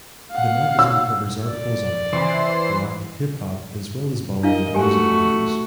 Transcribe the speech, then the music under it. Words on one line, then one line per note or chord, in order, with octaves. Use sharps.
The magazine covers articles on pop, rock, hip-hop as well as Bollywood music reviews.
F5 F#5
E6
D5
E3 C5
D4 E4 A#4 D#5 F5
A3 F#4 G4 G#5